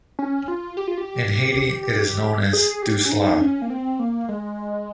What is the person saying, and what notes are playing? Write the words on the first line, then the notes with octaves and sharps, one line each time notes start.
In Haiti, it is known as "douce lait".
C#4
F4
G4
F4
G4
G#4
G4
C#4
D#4
C#4
A#3
C4
A#3
G#3